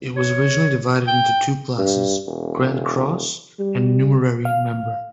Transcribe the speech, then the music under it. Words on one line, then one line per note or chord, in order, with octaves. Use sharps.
It was originally divided into two classes: "Grand Cross" and "Numerary Member".
C#5
G5
G2
E1
G3
F5